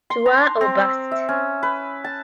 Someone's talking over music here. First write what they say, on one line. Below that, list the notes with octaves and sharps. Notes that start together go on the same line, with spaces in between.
Tuva or Bust!
C6
A#5
C4
E5
C#4
B4
A5